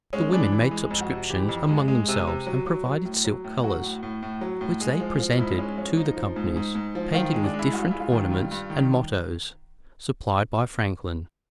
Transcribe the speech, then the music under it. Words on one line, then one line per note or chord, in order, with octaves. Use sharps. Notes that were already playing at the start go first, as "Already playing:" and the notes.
The women made subscriptions among themselves, and provided silk colors, which they presented to the companies, painted with different ornaments and mottoes, supplied by Franklin.
G#3 C#4
E3 D4
E3
G#3
F2
F#4
C3
E3 G4
F2
G#3
G#3
C3
C3
F#3
F#3
F#3
A2
F#3
A2
F#3 F#4
A2
A2
A2
F#3
A2
G#3
F3
F3
G#2 E4
G#3 C#4
F3 C#4
F3 D#4
F3
G#2
G#2
G#2
F3
D#3 F4
G#3
D4
G#3
E4
G2 F#4
F4
G#3 E4
F4
D#3
G2
G2
D#3